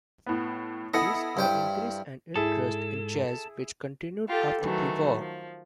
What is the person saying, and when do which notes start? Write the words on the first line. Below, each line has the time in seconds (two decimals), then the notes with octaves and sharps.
This all increased an interest in jazz which continued after the war.
0.26 A2 B3
0.94 B3 E4 A4 D#5 C#7
1.37 G2 C5 G5
2.36 G#2 E4 G#4 A4
4.27 F4 G4 A4
4.61 D#3 E3 F#3 A3
5.18 F3